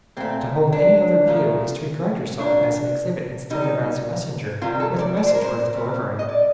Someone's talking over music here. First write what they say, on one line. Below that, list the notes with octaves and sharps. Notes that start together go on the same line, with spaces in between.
To hold any other view is to regard yourself as an exhibit instead of as a messenger with a message worth delivering.
A#2 A3 C4
D4
A#2 F3 A3
A#2 A3 D4
C3 G3 D#4
C3 D#3 G3 F4
A4
D5
D5
C5
A#4
C5
C3 G3
D#5
D5